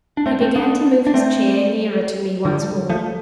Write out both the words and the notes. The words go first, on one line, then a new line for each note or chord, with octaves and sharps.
He began to move his chair nearer to me once more.
D4
A3 C4
A3 C4
B3 D4
D4
A3 C4
D3 F3
F3 A3